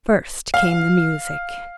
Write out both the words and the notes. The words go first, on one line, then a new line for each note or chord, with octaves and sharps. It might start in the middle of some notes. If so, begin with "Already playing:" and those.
First came the music.
F5